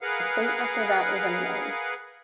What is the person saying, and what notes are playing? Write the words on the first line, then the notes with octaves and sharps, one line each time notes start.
His fate after that is unknown.
G#4 A#4 B4 F5 F#5